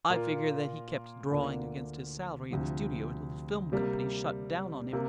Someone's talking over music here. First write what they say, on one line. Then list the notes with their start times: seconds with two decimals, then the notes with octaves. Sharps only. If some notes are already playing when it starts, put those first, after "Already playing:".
I figure that he kept drawing against his salary at the studio until the film company shut down on him.
0.10 A#2 A#3 F4
1.30 D2 D3 A#3 D4 F4
2.51 D2 C3 F3
3.72 C3 G3 A#3
4.93 C3 A#3